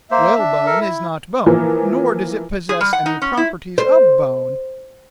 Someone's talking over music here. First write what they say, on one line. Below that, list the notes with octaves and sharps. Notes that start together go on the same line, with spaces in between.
Whalebone is not bone, nor does it possess any properties of bone.
A#3 C5 E5
D4
A4 A#4
E4
E3 F3 A#3
G#4
G3
F#5
D#4
C#4
E4
C5